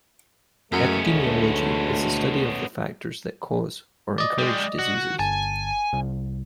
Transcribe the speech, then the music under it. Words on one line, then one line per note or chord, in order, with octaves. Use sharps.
Epidemiology is the study of the factors that cause or encourage diseases.
F#2 G#3 A3 B3 C#4
D2
D5 D#5
G3 G#3
F#4
G1 G#5 A5
C2